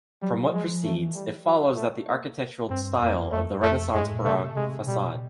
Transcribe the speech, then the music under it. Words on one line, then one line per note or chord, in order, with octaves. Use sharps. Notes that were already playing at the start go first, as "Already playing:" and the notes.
From what proceeds, it follows that the architectural style of the renaissance baroque facade.
F#3 G3
F3 G#3
E3 A3
G3
F#3
A3
A#3
G2 C4
F2 A#3
F2 A3
F2 A3
F#2 G#3
G#2
A#2
C3 A3
C3 G#3
B2 G3